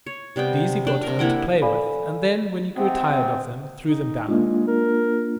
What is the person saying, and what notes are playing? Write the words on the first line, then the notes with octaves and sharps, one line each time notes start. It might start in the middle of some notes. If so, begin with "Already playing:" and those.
These he brought home to play with, and then, when he grew tired of them, threw them down.
C#5
C3 G3 B3 G5
D4 D5 G5 A5
C3 A#4
A#3 E4 F#5 G5
A4 D5 F5 G#5 B5
G#2 C3 B3 C4
D#4
G#3 A#3 D4 F4
A#4